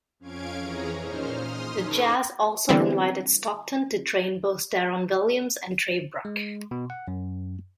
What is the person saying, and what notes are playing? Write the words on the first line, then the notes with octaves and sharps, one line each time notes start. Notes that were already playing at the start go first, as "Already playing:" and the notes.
The Jazz also invited Stockton to train both Deron Williams and Trey Burke.
F2 C#4 F5 G#6 D7
F2 E3 C#4 G#4 C#5 A#5
A#2 C#4 D#4 C5 F6
C6 D#6 F6
C#4 D#4 A4 B4 C#5
D3 E3 G3 B3 C4
G#3
B2
F#5
F#2